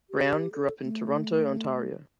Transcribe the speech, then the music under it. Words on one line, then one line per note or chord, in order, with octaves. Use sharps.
Brown grew up in Toronto, Ontario.
G4
A4
A3